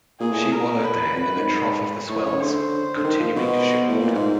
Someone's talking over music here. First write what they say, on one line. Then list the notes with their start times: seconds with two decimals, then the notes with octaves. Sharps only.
She wallowed there in the trough of the swells, continuing to ship water.
0.20 A#2 G#4
0.30 A2
0.41 A2
0.51 A#4
0.83 B4
1.15 F2
1.25 F#2
1.36 G#2
2.09 A2 C#5
2.26 C#3
2.41 D3 C5
2.96 D3
3.04 D#3
3.19 F3
3.36 B2 C5
3.89 A2
3.98 A#2
4.14 G#2